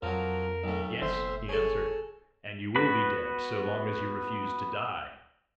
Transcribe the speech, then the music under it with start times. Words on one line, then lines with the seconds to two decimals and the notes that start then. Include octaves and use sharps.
"Yes," he answered; "and you will be dead, so long as you refuse to die."
0.02 F2 F3 F#3 A#4
0.64 B1 A3
1.01 F#1 C5 E5 C6
1.49 G#4 A4 C#5
2.76 B3 F#4 B4 B5